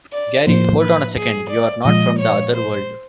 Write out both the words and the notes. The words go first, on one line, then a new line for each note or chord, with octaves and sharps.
Gary: Hold on a second, you're not from the other world!
D5
A2 F3 A#3 C5
B4
G#4
D5
A#2 F3 G#3 D#5
C#5
C5